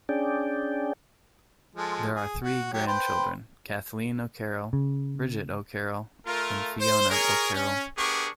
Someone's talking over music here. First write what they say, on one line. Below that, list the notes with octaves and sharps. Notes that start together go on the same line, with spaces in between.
There are three grand children, Kathleen O'Carroll, Bridget O'Carroll and Fiona O'Carroll.
C#4 D4 G#4 D5 G5
F3 G#3 A4
G#4
F#4
F#3 G4 C#5
B4 C5 G5
C#3
A3 F4 A#4
C5
G#4 A#4 C#5
C#4
B3 D4 G4 G#4 A#4 C#6